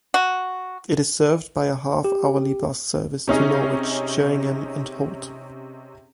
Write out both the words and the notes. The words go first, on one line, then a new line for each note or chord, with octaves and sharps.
It is served by a half-hourly bus service to Norwich, Sheringham and Holt.
F#4
G4
C3 C#4 D#4 G#4